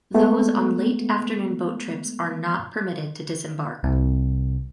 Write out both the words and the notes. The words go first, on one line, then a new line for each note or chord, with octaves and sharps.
Those on late afternoon boat trips are not permitted to disembark.
G#3 A3 B3
C2